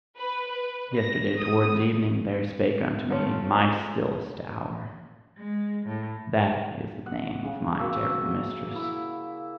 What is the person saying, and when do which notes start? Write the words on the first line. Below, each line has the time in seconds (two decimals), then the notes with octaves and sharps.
Yesterday towards evening there spake unto me MY STILLEST HOUR: that is the name of my terrible mistress.
0.19 B4
0.50 B4
0.97 A#6
1.38 D#6
3.10 A3 C4 C#4 F4
5.38 G#3
5.86 A2
7.06 F#5
7.45 C#3
7.79 A#3 F#4 E5
8.75 E4